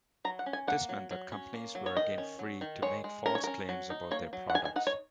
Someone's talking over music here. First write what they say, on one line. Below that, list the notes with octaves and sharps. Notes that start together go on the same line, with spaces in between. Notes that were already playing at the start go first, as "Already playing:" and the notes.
This meant that companies were again free to make false claims about their products.
F#3 A#5
F#5
C#4
G#5
A#3 F#5
F#3
F#3
C#4
A#3
F#3
C#5
D#3 D#5
C#4
F#3
D#3
G#3 C#5
G#3
C#4 A#4
C#5
C#4 A#4
F#3
D#4
A#3 C#5
F#3
F#5
D#3 G#5
G#5
D#4 F#5
C#5